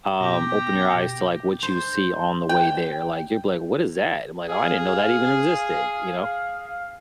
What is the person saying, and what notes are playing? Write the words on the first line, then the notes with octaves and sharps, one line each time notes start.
um, open your eyes to, like, what you see on the way there, like, you'll be like, "What is that?" I'm like, "Oh, I didn't know that even existed." You know?
B2 G4 G5 A#6
C5
G5
G#4 F5